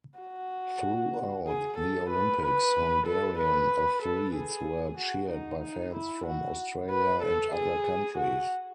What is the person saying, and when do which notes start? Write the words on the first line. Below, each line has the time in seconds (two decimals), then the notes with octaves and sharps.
Throughout the Olympics, Hungarian athletes were cheered by fans from Australia and other countries.
0.19 F#4
1.47 G#4
1.78 A4
2.10 B4
2.42 B4
3.06 A4
3.38 B4
4.02 A4
4.35 G#4
4.98 F#4
5.31 D#4
5.62 D#4
5.94 E4
6.26 F#4
6.90 B4
7.22 A4
7.54 G#4
8.17 F#4